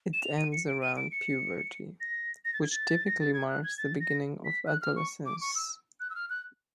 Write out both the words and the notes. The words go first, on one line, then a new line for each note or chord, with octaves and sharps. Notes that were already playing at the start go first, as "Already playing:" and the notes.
It ends around puberty, which typically marks the beginning of adolescence.
E7
F7
D#7
C#7
D7
D#7
D7
C#7
A#6
A#6
A6
G#6
A6
A#6
A6
G#6
F#6
G#6
A6
A#6
B6
F#6
F6
C#6
D6
C#6
E6
F#6
E6
F6
F#6